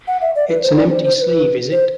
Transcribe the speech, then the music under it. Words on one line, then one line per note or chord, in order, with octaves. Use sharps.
It's an empty sleeve, is it?
F#5
E5
D5
B4
C5
D5
C5
C5
C5
B4
C5